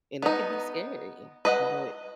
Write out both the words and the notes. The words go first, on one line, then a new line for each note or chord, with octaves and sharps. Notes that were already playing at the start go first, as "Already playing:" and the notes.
and that could be scary, but,
B3 D#4
B4 D#5 F#5